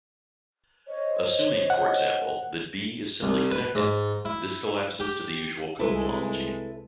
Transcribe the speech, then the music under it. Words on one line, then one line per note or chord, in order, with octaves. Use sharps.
Assuming for example, that "B" is simply connected, this collapses to the usual cohomology.
C5 C#5 D#5
F#5
C2
B4
G#2
E4
G4
C2 G#3 E4 A4 B4